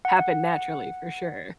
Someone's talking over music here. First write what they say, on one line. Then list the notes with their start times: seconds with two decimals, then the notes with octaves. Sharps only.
happen naturally for sure.
0.05 F#5